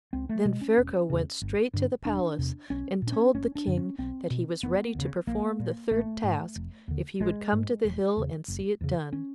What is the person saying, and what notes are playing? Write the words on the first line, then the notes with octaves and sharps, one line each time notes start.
Then Ferko went straight to the palace and told the King that he was ready to perform the third task if he would come to the hill and see it done.
C#2 C4
A3
B2 G#3
C#4
E1
E2 C#3
G1
G2 D3
E1 D4
E2 C3
B1 C#4
A#2
D4
C#4
F#1 C#4
D4
F#2 D3
C#4
B1 C4
B2
F1 B3
D#2 C#3
A#1 A#3
A#2
A1 A3
G#2
F1
D#2 D3
A1 G#3
G#2
E1
E2 C#3
F#1
E2 C#3
C#4